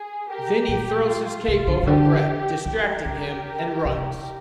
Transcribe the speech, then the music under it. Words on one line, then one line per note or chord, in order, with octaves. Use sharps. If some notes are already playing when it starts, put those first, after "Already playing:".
Vinny throws his cape over Bret, distracting him, and runs.
Already playing: G#4
G4 A#4
A#2 G4
F4
C3
D3
C3
D3 G4
F3 G4 A#4
D3
C3